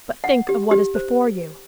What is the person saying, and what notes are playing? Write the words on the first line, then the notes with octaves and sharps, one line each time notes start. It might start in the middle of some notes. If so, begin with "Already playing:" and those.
"But think of what is before you."
F#5
G4
G4
C5